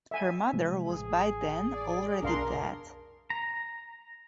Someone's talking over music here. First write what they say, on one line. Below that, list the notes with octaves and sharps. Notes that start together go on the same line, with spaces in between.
Her mother was by then already dead.
E5 G#5
C3 F3 G#3
A1 G#4
D5
B1 F2 B2 D4 A#4 F5 C6
A#5